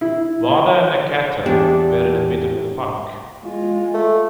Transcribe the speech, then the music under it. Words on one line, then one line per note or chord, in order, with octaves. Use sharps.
Wada and Nakata were in a bit of a funk.
E4
E2 D4 G4
G#3 F4
A3